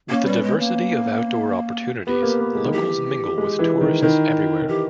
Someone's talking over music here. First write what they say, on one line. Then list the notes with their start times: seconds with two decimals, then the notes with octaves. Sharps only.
With a diversity of outdoor opportunities, locals mingle with tourists everywhere.
0.10 A#3 C#4
0.23 G3 B3
0.36 C#4
0.43 G#3
0.59 A#3
2.07 B3 G4
2.22 A#3
2.39 B3
2.55 G#3
2.65 D#3
2.72 E3 G4
3.38 G#3
3.59 E3
3.81 D#3
4.02 D#3 E4
4.62 D#3
4.68 E3 G4